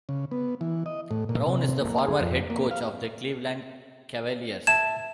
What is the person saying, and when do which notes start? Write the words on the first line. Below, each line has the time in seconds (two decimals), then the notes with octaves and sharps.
Brown is the former head coach of the Cleveland Cavaliers.
0.09 C#3
0.31 B3
0.61 E3
0.86 D#5
1.11 A2
1.29 A#2
1.46 C3
1.81 A#3
2.06 G#4
2.20 F2
2.50 A#3
2.71 F5
4.67 E5 A5 G#6 E7